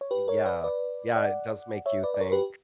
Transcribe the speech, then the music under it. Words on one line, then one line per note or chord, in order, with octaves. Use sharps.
Yeah. Yeah, it does make you think,
C#5
G4 B4
A#4 C#5
B4 D5
B4 D5
D5 F#5
C#5 E5
B4 D5
D5
A#4 C#5
G4 B4